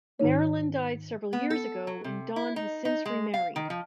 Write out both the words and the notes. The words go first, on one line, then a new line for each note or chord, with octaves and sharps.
Marilyn died several years ago and Don has since remarried.
G#2 D#3 D#4 C#5
B3
A4
F#3
C3
E4
D#4
D#4
G#3
F5
D#3
F3